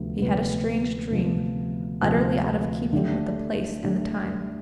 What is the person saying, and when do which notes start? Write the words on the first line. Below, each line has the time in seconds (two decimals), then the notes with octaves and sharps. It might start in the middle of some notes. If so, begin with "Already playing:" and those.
He had a strange dream, utterly out of keeping with the place and the time.
Already playing: D2 C3 F3 B3
0.18 D2 C3 F3 B3
1.10 D2 C3 F3 B3
2.01 D2 C3 F3 B3
2.93 D3 A3 D4 G4
3.84 D3 A3 D4 G4